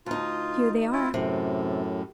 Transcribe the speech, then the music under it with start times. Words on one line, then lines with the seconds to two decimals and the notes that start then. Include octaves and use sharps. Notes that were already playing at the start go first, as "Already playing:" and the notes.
"Here they are."
0.06 D2 D#4 F4
0.92 E4 F4
1.14 F#2 A2 C3